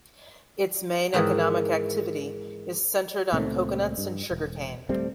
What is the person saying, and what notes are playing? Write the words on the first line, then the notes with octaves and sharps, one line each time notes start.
Its main economic activity is centered on coconuts and sugarcane.
G#2 D#3 E3
C#2 A#2 A3 C4
G2
E1
D1 G3 A3 C4